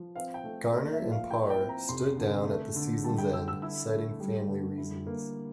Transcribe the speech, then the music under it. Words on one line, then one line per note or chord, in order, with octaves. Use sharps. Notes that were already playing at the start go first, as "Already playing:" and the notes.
Garner and Parr stood down at the season's end, citing family reasons.
Already playing: F3
C4 F5
G5
A3
A#3 D5
E5
F3
F5
E4 G5
G5
C4
A#5
F1 C6
D3
A3
D3
G3 A5
G5
D3 E6
E6
E4 E6
A3
G3
D3
E4
A#3